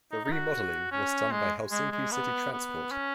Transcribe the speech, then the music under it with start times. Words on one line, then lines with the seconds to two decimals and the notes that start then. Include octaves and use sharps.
The remodelling was done by Helsinki City Transport.
0.12 D#4
0.25 D#4
0.32 F#4
0.92 C#4
1.32 G#3
1.72 G#3
1.91 G#3
2.12 B3
2.52 B3
2.91 C#4